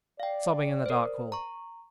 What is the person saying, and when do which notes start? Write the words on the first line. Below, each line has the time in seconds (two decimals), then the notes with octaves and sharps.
Sobbing in the dark hall.
0.20 D5 F5 G5
0.86 A#4 C5
1.32 A#5 C#6